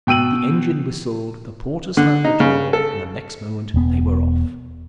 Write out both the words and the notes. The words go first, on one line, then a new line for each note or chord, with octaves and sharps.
The engine whistled, the porter slammed the door, and the next moment they were off.
B2 G5 E6 D#7 F#7
D3
D#4
C#3
A4
E1 B3